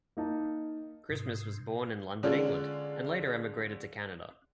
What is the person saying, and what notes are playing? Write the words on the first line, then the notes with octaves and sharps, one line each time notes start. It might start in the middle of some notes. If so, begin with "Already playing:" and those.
Christmas was born in London, England, and later emigrated to Canada.
A#3 D#4 A5
G#2 C3
D3 G#3 C#4 D4 F4